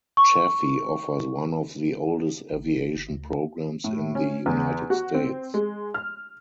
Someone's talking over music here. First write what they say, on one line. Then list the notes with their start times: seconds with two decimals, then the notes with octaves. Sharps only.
Chaffey offers one of the oldest aviation programs in the United States.
0.17 C#6
2.53 G#1
2.76 F1
2.96 G1
3.11 D2
3.84 A2
4.15 C#4
4.46 E2
4.90 F#4
5.14 C4
5.54 G#3
5.94 F6